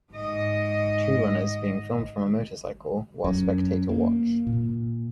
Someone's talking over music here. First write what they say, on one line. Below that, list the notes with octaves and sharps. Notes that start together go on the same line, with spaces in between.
Two Runners, being filmed from a motorcycle, while spectator watch.
G#2 D#5
F#2
A#3
A#2